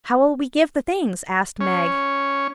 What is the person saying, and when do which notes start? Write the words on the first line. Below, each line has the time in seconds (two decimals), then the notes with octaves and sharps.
"How will we give the things?" asked Meg.
1.61 C#4